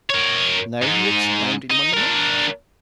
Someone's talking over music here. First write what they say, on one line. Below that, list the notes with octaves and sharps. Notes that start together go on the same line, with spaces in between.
"No?" he exclaimed, in wonderment.
A#4 C#5
G#2 D#4
D#4
D4 A#4